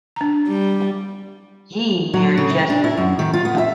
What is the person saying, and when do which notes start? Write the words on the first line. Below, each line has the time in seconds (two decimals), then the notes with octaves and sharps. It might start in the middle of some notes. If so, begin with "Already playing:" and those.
He married Jessie.
0.16 D4 A#5
0.47 G3
2.14 F#3
2.38 C#3
2.50 E4
2.70 D4
2.84 E4
2.97 F#2
3.19 D#3
3.33 F4
3.45 B3
3.58 E5